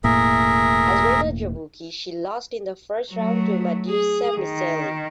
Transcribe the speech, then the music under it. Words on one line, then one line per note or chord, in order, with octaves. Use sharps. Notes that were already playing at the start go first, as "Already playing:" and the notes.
As Reina Jabuki, she lost in the first round to Madusa Miceli.
E1 A2 A#3 G#4 A#4 E5
F#3 A3
G#4
D#3